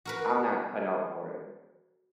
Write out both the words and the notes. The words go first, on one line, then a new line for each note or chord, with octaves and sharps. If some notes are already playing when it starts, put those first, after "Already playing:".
I'm not cut out for it.
F#4 A#4 B4